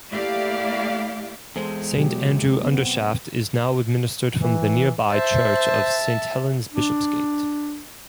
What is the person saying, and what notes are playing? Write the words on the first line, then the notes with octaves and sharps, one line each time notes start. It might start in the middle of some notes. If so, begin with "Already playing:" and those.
Saint Andrew Undershaft is now administered from the nearby church of Saint Helen's Bishopsgate.
A3 A#3 E4 G4 D5 F5
E2 G#3 A4 C5
B2 F#3 G4
B3 C4
E3
C5 E5 A5
D4